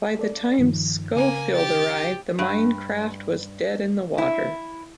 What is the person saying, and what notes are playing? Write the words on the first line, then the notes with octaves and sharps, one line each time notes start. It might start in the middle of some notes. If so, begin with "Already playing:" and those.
By the time "Schofield" arrived, the minecraft was dead in the water.
A4 D5
G2 D#3 F3
C#3 A#3 G#5
G4 A6
G2
E4